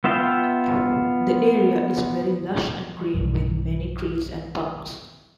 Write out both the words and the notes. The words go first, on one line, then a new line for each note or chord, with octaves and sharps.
The area is very lush and green with many trees and parks.
B3 F4 E5 F5 G5
B1 G2 E3